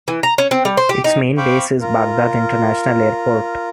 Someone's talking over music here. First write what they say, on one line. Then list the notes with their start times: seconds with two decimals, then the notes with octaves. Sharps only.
Its main base is Baghdad International Airport.
0.08 E3
0.23 A#5
0.38 C#4
0.51 C4
0.65 G3
0.77 C5
0.89 G4
1.04 D#4
1.37 C5 F5 G5 B5 C#6 D6
1.81 F4 A#4